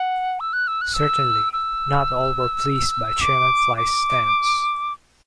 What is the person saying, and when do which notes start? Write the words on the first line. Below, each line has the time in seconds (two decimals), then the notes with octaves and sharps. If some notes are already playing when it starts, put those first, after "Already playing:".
Certainly, not all were pleased by Chairman Fly's stance.
Already playing: F#5
0.40 E6
0.53 F#6
0.67 E6
0.81 F#6
0.94 E6
1.53 E6
3.21 D6
3.77 D6